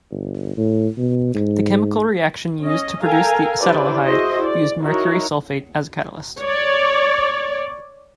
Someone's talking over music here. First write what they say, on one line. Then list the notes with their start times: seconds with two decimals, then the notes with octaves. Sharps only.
The chemical reaction used to produce the acetaldehyde used mercury sulfate as a catalyst.
0.11 G1
0.57 A2
0.98 B2
1.35 G#2
2.63 C#4 D#5
3.02 A4 A#4 F5 G5 G#5 A#5
3.60 D4 E4 G4 B4 C5 D5
4.04 E4 F#4 G#4 C5 D#5
4.44 D5
4.81 D#4 E4 F#4 A#4 C#5
6.40 C#5 D5